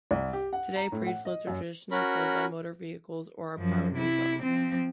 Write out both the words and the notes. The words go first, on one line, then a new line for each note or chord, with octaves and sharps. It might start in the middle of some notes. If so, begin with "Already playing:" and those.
Today, parade floats are traditionally pulled by motor vehicles or are powered themselves.
C2
G4
F#5
A#5
A2
F#5
D#5
F#2
C#4 F#4 A#4 B5
F#2 F3
C3 E4
F3 C4